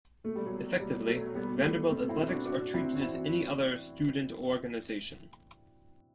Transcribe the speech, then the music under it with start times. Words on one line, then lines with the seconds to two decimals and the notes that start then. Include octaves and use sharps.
Effectively, Vanderbilt athletics are treated as any other student organization.
0.24 B2 A3
0.36 G3
0.46 F#3 A3
0.52 B2
0.80 B2 G3
1.07 B2 F#3 A3
1.35 B2 G3 B3
1.57 A3
1.63 B2 G3 B3
1.90 B2 A3 C4
2.08 C4 E4
2.18 B2
2.28 D4 F#4
2.45 A2 D4 F#4
2.73 A2 C4 E4
2.95 F#4
3.01 E3 C4 E4